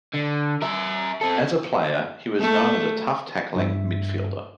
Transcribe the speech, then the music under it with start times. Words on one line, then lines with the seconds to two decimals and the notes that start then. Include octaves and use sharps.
As a player, he was known as a tough-tackling midfielder.
0.14 D3
0.62 A#4 E5
1.21 C4 A4
2.40 A3
3.56 G2 E5